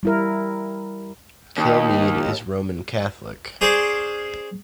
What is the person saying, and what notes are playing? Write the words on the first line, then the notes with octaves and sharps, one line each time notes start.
Kilmeade is Roman Catholic.
G3 E4 A#4
D#2
C#4 G#4 C5 D5